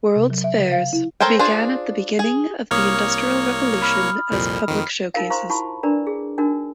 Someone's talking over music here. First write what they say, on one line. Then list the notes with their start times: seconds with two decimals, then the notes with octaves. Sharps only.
World's Fairs began at the beginning of the Industrial Revolution as public showcases.
0.16 C3
0.30 F#3
0.44 E5
0.59 C#3
0.72 F5
0.93 E4
1.20 A4 A#4 C5 C#5 G5
1.39 D4 F4 G#4 C5
2.19 G#4
2.71 C2 A#3 C#5 D#6 F6
3.82 B5 F6
4.31 C2 F2 A#2
4.68 F2 D#3
5.14 D#4 F4 A#4 F5
5.30 C5 F5 A#5 C6 C#6
5.50 E4 F#4 A5 B5 C#6
5.83 D4 A#4 B4 D5 A#5
6.07 G#4
6.38 D4 D#4 F#4 A#4